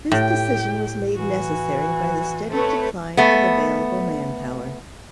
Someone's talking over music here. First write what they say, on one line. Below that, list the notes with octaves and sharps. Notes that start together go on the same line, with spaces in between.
This decision was made necessary by the steady decline of available manpower.
A2 G4 G5
E3 F#4
A3 C4 B4 C#5
A3 B3